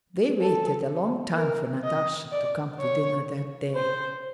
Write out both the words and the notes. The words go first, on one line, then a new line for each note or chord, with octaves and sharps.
They waited a long time for Natasha to come to dinner that day.
A4
A#4
D#5
D5
C#5
C5